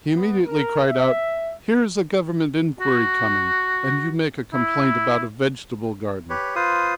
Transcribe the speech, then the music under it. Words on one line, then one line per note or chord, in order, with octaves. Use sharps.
He immediately cried out: 'Here is a Government inquiry coming, and you make a complaint about a vegetable garden.
B3
A#4
E5
F#4
E4
G4 B4 C#5
F4 B4 C5 D#6